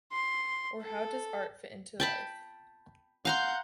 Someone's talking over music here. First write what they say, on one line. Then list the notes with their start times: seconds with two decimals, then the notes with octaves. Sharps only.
Or how does art fit into life?
0.13 C6
0.82 A4
2.00 G5 A5 B5
3.25 F5 F#5 A#5 C6 G6